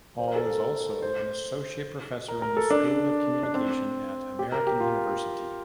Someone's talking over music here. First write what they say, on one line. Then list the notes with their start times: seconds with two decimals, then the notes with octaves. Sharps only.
Hall is also an associate professor in the School of Communication at American University.
0.19 C5
0.28 A#4
0.36 A4
0.44 A#4
1.02 C5
2.28 A#4
2.42 A#4
2.57 A4
2.71 D4
3.43 D4
3.54 C4
4.39 G4
4.52 A#4
4.67 G4
4.80 F4